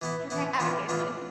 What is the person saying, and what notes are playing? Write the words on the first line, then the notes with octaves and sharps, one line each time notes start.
Okay, have a good one.
E3 B3 E4
E3 B3 E4
E3 B3 D4 F4
E3 B3 D4 F4